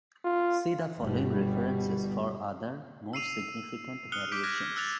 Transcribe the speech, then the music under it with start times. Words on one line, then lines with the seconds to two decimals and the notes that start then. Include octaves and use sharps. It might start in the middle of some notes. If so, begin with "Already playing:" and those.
See the following references for other, more significant variations.
0.25 F4
1.00 G1 B2 G3
3.13 E6 C7 D#7 F7
4.12 D#6 F6 F#6 C#7 F7 G7
4.31 D6 G6 B6 D7
4.43 F6 F#6 G#6 A#6
4.76 E6 F#6 A6 F7